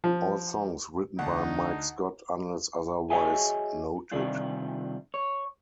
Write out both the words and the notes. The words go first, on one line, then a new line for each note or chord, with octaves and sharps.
All songs written by Mike Scott, unless otherwise noted.
F3
D2 D4 D#4 F#5 A5
F#4 G#4 C#5 D#5 E5 G#5
C3 D#3 F3 G3 D4 F4
C#5